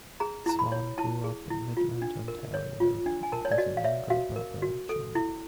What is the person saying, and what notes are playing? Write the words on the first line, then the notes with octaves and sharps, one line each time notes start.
Swan grew up in Midland, Ontario, and has a younger brother John.
G#4 A#5
E4 A#5
B5
C#5
E4 A5
G#4
E4
F4
D4
A#4
C#5
F4
D4
G#5
A#4 A5
C#5
D5
F#4 D#5
F5
C#5 E5
F#4 F5
A#4
F#4
A4
E4